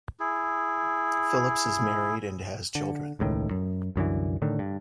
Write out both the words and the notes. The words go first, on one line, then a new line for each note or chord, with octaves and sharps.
Phillips is married and has children.
E4 G#4
D3
E1 C#2 A2 D#3
F#2
C2 F#2 D3 E3
A2 D3 D#3
G2